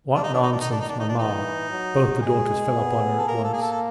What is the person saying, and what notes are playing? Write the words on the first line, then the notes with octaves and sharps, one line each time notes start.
"What nonsense, mamma!" both the daughters fell upon her at once.
D#3 D4
D#4
D4
D#4
D4
D#4
D4
D#4
D4
D#4
D4
E3 D#4
F#3
G#3 G#4
B3
A4
A#3 A#4
A4
G#4
A4
A4